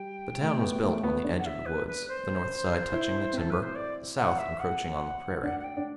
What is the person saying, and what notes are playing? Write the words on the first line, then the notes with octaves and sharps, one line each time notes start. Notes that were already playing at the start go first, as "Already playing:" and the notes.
The town was built on the edge of the woods, the north side touching the timber, the south encroaching on the prairie.
Already playing: G3 G5
A3
B3
A3
B3
D4
F#5
E5
B4
B4
C5
E4
C4 A4
B4
C5
D5
F#5
E5
F#5
D4 F#5
F#5
G5
D4